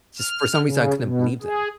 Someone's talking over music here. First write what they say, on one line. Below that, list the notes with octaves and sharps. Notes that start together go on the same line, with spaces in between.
Just for some reason I couldn't believe them.
F6
C#3
B2
G#4